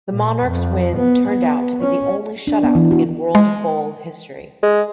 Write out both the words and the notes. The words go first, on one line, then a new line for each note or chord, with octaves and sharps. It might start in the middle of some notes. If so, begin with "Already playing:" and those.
The Monarchs' win turned out to be the only shutout in World Bowl history.
A#2
F2
B3
B3
C#4
D4
B3
E3
F#4
G#3
G#3